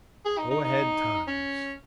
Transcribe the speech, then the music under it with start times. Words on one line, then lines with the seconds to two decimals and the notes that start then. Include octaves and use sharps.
Go-ahead Times!
0.25 G#4
0.38 D#4
0.51 D#4
0.64 D#4
1.28 C#4